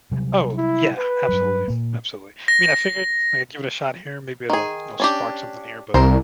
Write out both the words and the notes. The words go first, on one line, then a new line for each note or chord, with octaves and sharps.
Oh, yeah, absolutely, absolutely. I mean, I figured I'd give it a shot here, maybe it'll it'll spark something here, but
C3 F#3 G3
E4
B4
G2 F#3
A#2 A#3
A#6
D#3 G#4
C#4 D4 G4
C2 A#4 C5